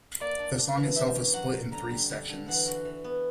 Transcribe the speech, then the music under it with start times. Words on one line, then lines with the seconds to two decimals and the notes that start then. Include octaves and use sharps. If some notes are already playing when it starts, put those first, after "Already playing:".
The song itself is split in three sections.
0.20 A#3 D5
0.39 D4
0.58 D4
0.77 E3
0.95 G4 E5
1.15 C#4
1.34 F#3 F#5
1.53 F#3
1.72 D3 A#5
1.91 G3
2.10 D3
2.29 D3
2.48 E3 F#5
2.67 F#4
2.85 E3
3.04 B3